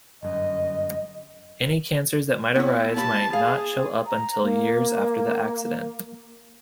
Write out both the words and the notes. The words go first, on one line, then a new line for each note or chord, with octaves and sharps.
Any cancers that might arise might not show up until years after the accident.
G1 F#2 D#5
B3 E4 C#5
A#3 G4 A5 B5
G#4 F5
A#5
A#3